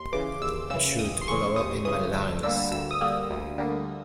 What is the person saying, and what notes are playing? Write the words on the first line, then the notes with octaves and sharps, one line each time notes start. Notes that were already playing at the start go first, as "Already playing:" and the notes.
I'm sure to blow up in my lines.
Already playing: D#2 C6
C#3 E3 D6
D#2 E6
C#3 E3 E6
D#2 D#6
C6
C#3 E3 C#6
D#2 D#6
C#3 E3 D#6
D2 E6
D3 G3 A#3 E6
D2 E6
D#6
D3 G3 A#3
D2
D3 G3 A#3